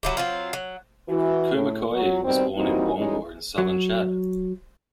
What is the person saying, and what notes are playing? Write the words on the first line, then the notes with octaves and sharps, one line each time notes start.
Koumakoye was born in Bongor in southern Chad.
F#3 E4 G4
F#3 C4 F4
F#3
E3 F#4
A2
F#3
B2 D#3 G3 C4
E3 G3 A#3 C4 D#4 F#4
E3 G3 G#3 C#4 D#4
F#3